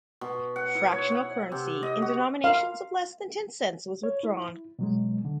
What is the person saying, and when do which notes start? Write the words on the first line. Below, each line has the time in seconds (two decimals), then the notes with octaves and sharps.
Fractional currency in denominations of less than ten cents was withdrawn.
0.21 B2
0.56 F#5
0.75 E4
0.92 C#5
1.12 F#5
1.52 C3
1.83 D#5
2.02 F#4
2.44 F5
4.03 C#5
4.23 E4
4.79 B2 F#3 G#3
5.25 D3